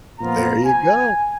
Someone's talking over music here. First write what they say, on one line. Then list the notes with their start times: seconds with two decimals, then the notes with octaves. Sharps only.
There you go.
0.19 A#2 F3 B3 F4 A#5
0.65 G#5